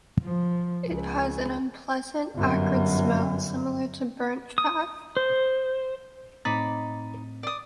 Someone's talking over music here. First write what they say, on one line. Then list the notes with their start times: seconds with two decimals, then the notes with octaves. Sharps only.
It has an unpleasant, acrid smell, similar to burnt fat.
0.22 F3
0.87 C#2
2.35 G1 F#2
4.58 D#6
5.17 C5
6.45 A2 C4 D#4 B5 D6 A6
7.43 D5 D#6